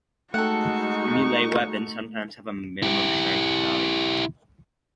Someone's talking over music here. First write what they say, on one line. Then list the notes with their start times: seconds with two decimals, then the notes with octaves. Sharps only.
Melee weapon sometimes have a "Minimum Strength" value.
0.34 G#3 A3 D#4 F#4 A4 F#5 C#6
2.82 E4 G4